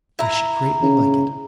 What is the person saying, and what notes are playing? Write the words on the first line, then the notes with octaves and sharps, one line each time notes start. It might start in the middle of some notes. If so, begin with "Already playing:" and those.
'I should greatly like it.
E4 A#5
C#3